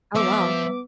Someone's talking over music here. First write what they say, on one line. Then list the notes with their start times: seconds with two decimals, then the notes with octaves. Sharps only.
Oh, wow.
0.15 F3 B3 B4 E5 D6